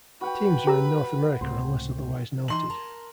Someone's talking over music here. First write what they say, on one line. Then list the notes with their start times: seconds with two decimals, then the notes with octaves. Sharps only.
Teams are in North America unless otherwise noted.
0.21 F#4 B4 F#5 G5 B5
0.67 G4 A#5 E6
1.41 C#2 A2 C3 C5
2.48 E3 D#4 C6 F#7
2.70 A#4 A5 A#5